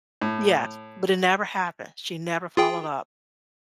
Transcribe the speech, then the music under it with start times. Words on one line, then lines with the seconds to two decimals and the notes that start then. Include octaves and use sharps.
Yeah. But it never happened. She never followed up.
0.21 A2
2.57 F4 G#4 G5